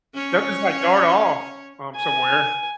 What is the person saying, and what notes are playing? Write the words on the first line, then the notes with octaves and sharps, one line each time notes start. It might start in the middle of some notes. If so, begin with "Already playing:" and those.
They'll just, like, dart off, um, somewhere,
C#4 C#5
G#5